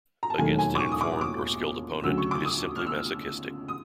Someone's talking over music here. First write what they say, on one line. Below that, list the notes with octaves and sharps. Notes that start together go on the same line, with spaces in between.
Against an informed or skilled opponent, it is simply masochistic.
A#5
A5
E1 D#2 D#3 F#3 A3 G#5
G#5
D6
C#6
D#6
D6
D6
D2 C#3 F#3 E6
C#6
D6
D#6
F6
E6
D#6